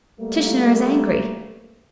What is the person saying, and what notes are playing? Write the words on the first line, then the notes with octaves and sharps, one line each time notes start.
Tishnar is angry.
G3 A3 A#3